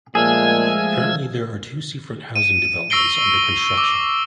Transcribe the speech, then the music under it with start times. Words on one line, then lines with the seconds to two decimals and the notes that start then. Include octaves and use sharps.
Currently, there are two seafront housing developments under construction.
0.15 A#2 F3 G#3 A3 G#4 G#5 E6 G#6
2.36 D#7
2.90 C#6 E6 A#6 C7 D7 G7
3.78 D6 E6